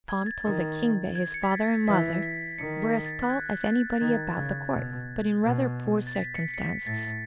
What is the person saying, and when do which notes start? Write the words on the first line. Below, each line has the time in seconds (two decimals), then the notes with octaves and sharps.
Tom told the King that his father and mother were as tall as anybody about the court, but in rather poor circumstances.
0.09 G#6
0.26 A6
0.45 D#3
1.16 G#6
1.34 C#7
1.43 B6
1.51 A6
1.87 E3 B6
2.23 B6
2.58 D#3 C#7
2.82 B6
3.06 A6
3.22 F#6
3.30 G#6
3.66 A6
3.92 A6
4.01 D#3 G#6
4.37 C#3 G#6
4.73 B2
5.44 B2
6.07 A6
6.15 B6
6.35 C#7
6.39 B6
6.54 C#7
6.63 B6
6.87 A2 A6